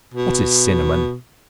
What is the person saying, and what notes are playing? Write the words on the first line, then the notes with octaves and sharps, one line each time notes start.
What is Cinnamon?
B2